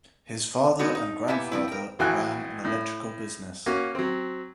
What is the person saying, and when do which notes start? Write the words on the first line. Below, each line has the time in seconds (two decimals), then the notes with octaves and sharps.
His father and grandfather ran an electrical business.
0.79 G#3 A3 B3 D#4 F#4
0.95 D#4
1.28 A#3 B3 E4 G4 E5 G#5
1.52 F3 C4 E4
1.68 A#4 G5
1.99 A#1 E3 F#4 G5 G#5 F#6
2.65 A2
3.66 A#3 C#4 F#4
3.95 F#3 C4